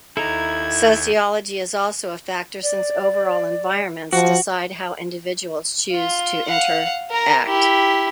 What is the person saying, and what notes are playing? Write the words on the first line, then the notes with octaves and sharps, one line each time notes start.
Sociology is also a factor since overall environments decide how individuals choose to interact.
D#2 D#4 E4 A4 A#5 G#6
D5
F3 F#4
F4
F5 F#5
A#4 A#5
E4 G4